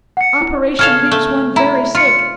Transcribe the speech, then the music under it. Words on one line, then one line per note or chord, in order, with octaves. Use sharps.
Operation leaves one very sick.
F#5 C#7
E4
C#3 A4 F5 F6 G#6
A3
E4 E5 A#5 B5
F4 C6 C#7